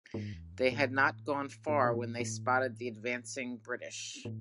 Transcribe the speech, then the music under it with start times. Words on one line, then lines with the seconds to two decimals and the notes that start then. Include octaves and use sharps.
They had not gone far when they spotted the advancing British.
0.14 G#2
0.33 E2
0.52 F#2
0.72 A2
1.69 A2
1.84 B2
1.94 A2
2.20 A2
4.25 A2